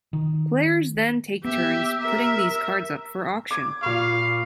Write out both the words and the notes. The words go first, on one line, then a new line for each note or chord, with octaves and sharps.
Players then take turns putting these cards up for auction.
D#3
A#3 B3 G4 E5
A#4 E5
D6 G#6
A#2 F5 B5 C#6